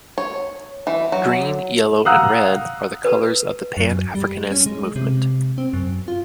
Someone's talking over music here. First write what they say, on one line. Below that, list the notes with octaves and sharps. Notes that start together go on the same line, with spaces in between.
Green, yellow and red are the colours of the Pan-Africanist movement.
C#5
E3
F#3
F5 F#5 A#5 D#6 E6 F#6
A4 B4
F#2
G3
C#4
G#3
C3
C4
F#2
F4